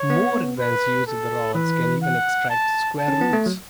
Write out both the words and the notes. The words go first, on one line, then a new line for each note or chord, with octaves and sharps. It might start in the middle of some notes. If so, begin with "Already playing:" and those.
More advanced use of the rods can even extract square roots.
Already playing: C#5
B3
B4
A4
E3 B4
F#5
A5
A5
C#4
B3
A3
F#3